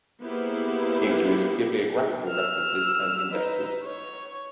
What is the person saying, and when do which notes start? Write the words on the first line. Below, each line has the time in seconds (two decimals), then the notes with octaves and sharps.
Includes bibliographical references and indexes.
0.22 A#3 B3 E4 G4 G#4 C5
2.28 E6 F6
3.31 D#4 B4
3.83 C#5